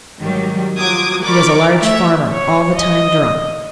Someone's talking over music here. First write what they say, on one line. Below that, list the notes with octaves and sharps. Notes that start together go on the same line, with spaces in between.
He was a large farmer, all the time drunk.
G#2 D#3 F#3 G3
F3 F#3 D6 D#6 G#6
A#4 D5 B5 C#6 D6
A3 C#5 E5
C#5
D#5